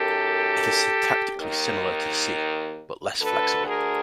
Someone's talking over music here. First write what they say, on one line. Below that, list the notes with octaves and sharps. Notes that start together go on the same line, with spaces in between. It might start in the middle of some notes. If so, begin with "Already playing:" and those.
It is syntactically similar to C, but less flexible.
Already playing: F#2 D#3 G4 A4
D#2 D#3
D2 D3 A4 B4
G#4 A#4